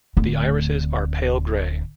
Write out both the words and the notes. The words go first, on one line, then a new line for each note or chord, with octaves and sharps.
The irises are pale grey.
D1 D3